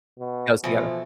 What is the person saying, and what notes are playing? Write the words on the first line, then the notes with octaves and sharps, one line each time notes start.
goes together.
B2
B2 E3 F3 A3